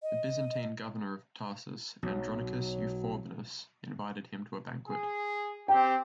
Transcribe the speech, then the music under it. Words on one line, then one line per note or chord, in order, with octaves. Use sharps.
The Byzantine governor of Tarsus, Andronicus Euphorbenus, invited him to a banquet.
D#5
B1 F#3
G#4
C4 G4 G5